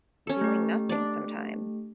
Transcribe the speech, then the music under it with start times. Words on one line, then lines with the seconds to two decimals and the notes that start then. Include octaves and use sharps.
doing nothing sometimes.
0.27 C#4 A4
0.41 A3 G4
0.89 D4 D5